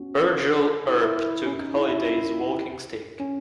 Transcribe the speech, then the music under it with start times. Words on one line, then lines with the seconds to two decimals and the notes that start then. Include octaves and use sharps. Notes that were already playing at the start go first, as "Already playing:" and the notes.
Virgil Earp took Holliday's walking stick.
Already playing: B3 C#4 F#4
0.88 E4
1.01 E4
1.17 E4
1.46 C#4
1.59 D#4
1.74 E4
1.88 E4
2.04 E4
3.20 C#4